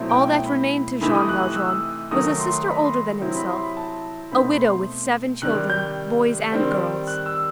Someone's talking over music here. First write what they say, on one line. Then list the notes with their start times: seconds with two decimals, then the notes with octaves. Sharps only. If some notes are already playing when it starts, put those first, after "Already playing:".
All that remained to Jean Valjean was a sister older than himself,--a widow with seven children, boys and girls.
Already playing: B2 F#3 A3 C4 E4
0.09 G5
0.28 G5
0.46 B5
1.01 C3 E3 A3 D#4 B5
1.15 D#6
1.29 F#6
1.43 F#6
1.56 E6
2.11 D#3 F#3 A3 D#6
2.39 C6
2.66 B5
2.85 C6
3.21 C3 F#3 C4 E4
3.36 B5
3.49 C6
3.63 B5
3.77 A5
4.32 B2 A3 C4 D#4 B5
4.60 C6
5.42 C3 D#3 G3 F#6
5.70 G6
6.52 D#3 G3 C4
7.07 F#6
7.26 E6